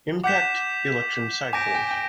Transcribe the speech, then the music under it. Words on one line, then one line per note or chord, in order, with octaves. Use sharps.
Impact elections cycles.
F#5 D6 G6 B6 E7
G#5 D6 G6 A#6 D7
G5
G5